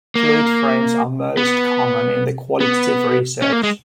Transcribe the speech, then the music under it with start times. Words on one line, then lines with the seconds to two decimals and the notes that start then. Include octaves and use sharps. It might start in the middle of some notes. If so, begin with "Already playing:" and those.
Fluid frames are most common in the qualitative research.
0.15 A#3
1.37 B3
2.60 B3
3.42 C#4
3.53 A#3
3.63 G#3